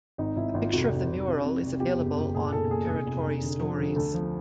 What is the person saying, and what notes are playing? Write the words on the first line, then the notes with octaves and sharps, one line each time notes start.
A picture of the mural is available on Territory Stories.
G#1 D#4
G#1 E4
G#1 F4
F1 F#4
F1
F1
C3
C3
C2
E2 G4
F#1
F#1
A#2 G#4
B1 A4
A#2 G#4
F1 G#4
F1
F1
D3
F3
D3
D2 A4
F3